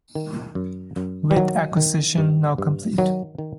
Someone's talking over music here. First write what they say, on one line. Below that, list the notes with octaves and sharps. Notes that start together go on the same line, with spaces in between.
With acquisition now complete.
D#3
F#2
F#2
G3
D#3 F#3
D#3
G2
G2
D#3 F#3
D#3